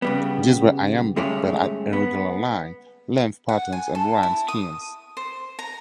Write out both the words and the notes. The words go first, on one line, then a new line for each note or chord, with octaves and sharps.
These were iambic, but had irregular line length patterns and rhyme schemes.
C#3 G3 B3
G2 D3 G#3 A3 C#4
B3
F#5
G#5
A4
E4
D#6
C5
A#5